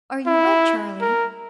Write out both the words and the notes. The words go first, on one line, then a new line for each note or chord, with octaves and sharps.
'Are you wet, Charlie?'
E4
A#4